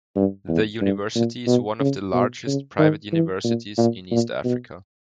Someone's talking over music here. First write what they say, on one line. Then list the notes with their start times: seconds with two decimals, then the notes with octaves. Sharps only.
The university is one of the largest private universities in East Africa.
0.16 G2
0.48 E2
0.81 G2
1.15 A#2
1.47 B2
1.80 C#3
2.14 B2
2.46 C#3
2.79 D#3
3.13 E3
3.44 A#2
3.78 A#2
4.11 A#2
4.44 B2